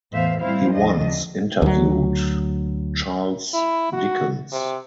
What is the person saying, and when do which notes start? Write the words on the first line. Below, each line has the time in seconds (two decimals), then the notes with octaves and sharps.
He once interviewed Charles Dickens.
0.12 E2 A2 C5 E5 F5
0.41 A2 G3 C4 E4 C5 F5
0.75 D#2 C3 F3 D4 D#5
1.62 D2 F#3
3.53 E4
3.93 F#4
4.52 C3